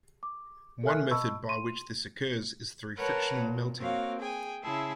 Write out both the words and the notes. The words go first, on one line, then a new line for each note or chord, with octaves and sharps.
One method by which this occurs is through frictional melting.
D6
A4 A#4 E5 G#5 F6 F#6
D#5 A5 B5 C#6 E6
C6 D#7
A#4 B4 C#5 F#5 A5 A#5
A#2
A#3 C4 F#4 C#5 F5
G#4 G5 G#5
C#3 E4 G#4 E5 A5 C6